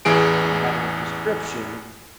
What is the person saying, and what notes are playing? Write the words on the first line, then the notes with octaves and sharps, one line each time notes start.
you know, having a prescription,
A1 E2 E3 G#4 D7